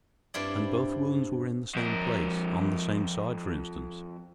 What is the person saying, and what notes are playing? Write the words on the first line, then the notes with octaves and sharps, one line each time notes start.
"And both wounds were in the same place--on the same side, for instance?"
G2 C4 E4 F4 D5
F2 A#4